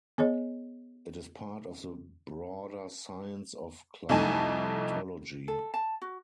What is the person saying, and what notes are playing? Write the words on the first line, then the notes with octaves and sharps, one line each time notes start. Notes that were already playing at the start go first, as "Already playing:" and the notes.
It is part of the broader science of climatology.
B3 G#4 C#5 D#5
C2 F2 A3 D#4 G#5 A5
A4
A5
F#4